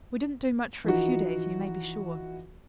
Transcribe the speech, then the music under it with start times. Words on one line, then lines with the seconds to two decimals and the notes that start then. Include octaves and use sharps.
We didn't do much for a few days, you may be sure.
0.84 E3 F3 D#4 F#4